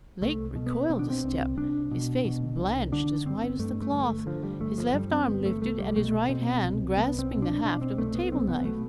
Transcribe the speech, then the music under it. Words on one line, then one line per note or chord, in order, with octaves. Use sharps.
Lake recoiled a step; his face blanched as white as the cloth; his left arm lifted, and his right hand grasping the haft of a table-knife.
C2 A3
B2
B3
B2 C4
D4
C4
C2
C2 D4
B2
B2
C2
D3 D4
G1 C4
G2 A3
A3
G1
A3
D3 F3
G3
G1 A3
F3
G2 G3
C4
G1 B3
A3
C2 A3
G3
B2 A3
B2 C4
C2
C2 B3
C4
B2
D4
B2 D4
C4
C2 A3
B3
B1 C4
B3
B2 A3